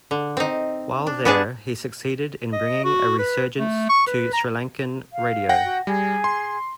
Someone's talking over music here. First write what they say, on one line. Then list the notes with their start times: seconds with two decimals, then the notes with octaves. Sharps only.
While there, he succeeded in bringing a resurgence to Sri Lankan radio.
0.11 D3
0.37 C4 D#4
1.07 D4
1.25 B3 D4 G#4 A5
2.53 D#5
2.84 F#4
3.19 B4
3.59 A3
3.89 C#6
4.07 B4
4.33 A#5
5.13 F5
5.49 F#5 G5 A#6
5.65 F#4
5.87 G3 G#4
6.24 C6